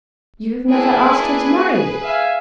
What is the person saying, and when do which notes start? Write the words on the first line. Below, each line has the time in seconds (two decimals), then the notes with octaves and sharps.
"You have never asked her to marry you?"
0.70 A#3 D4 E4 G#4 B4
2.02 E5 F5 G#5